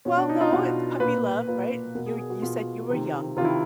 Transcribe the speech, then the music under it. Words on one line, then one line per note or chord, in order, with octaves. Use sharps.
Well, no. It's puppy love, right? It’s your you said you were young.
B2 C#4
D4
D#4
F4
B2 F#4
A#2 B4
A#2 B4
B2 A#4
G#4
G#4
F#4
B2 F4
C3 D#3
C3 D#3 E4 F4